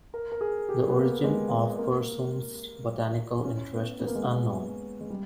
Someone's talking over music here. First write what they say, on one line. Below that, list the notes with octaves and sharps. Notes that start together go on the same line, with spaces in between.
The origin of Persoon's botanical interest is unknown.
A#4
A#4
G#4
G4
B3
A#3
G#3
G#3
A#3
C#4
B3
B3
A#3
G#3
A#3
G#3
G3